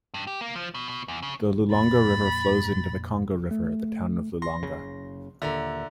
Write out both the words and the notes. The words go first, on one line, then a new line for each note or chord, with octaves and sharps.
The Lulonga river flows into the Congo River at the town Lulonga.
G2
G4
A#3
F3
B2
B2
E2
C#3
F2 A#2 A#3 B5 A6
A3
C6 A#6
F#1 C#3
D#2 A#2 D3 E5 A#5